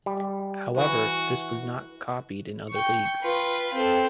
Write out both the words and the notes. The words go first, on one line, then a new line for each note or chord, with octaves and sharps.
However, this was not copied in other leagues.
G3
E3 F#4
G5 C#6
F4 B4
C4 A4